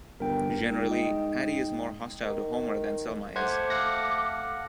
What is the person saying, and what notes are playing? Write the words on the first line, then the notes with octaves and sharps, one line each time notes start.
Generally, Patty is more hostile to Homer than Selma is.
G1 A#4 G5
G#2
D#5 G5
D#3
A3 C5 F#5 D6 G#6
F5 F#5 A#6